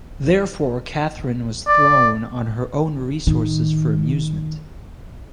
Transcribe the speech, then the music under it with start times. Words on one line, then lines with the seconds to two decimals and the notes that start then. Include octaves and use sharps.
Therefore Catherine was thrown on her own resources for amusement.
1.67 D5
3.27 A2 D#3